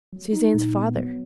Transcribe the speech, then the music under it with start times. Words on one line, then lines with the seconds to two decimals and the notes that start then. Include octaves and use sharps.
Suzanne's father!
0.13 F#3
0.33 D#4
0.54 A#2
0.76 B3
0.97 F#3